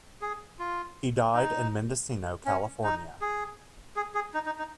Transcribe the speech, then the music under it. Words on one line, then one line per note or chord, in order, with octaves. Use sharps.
He died in Mendocino, California.
G#4
F4
D#4
C#4
D#4
G#4
G#4
G#4
D#4
D#4
D#4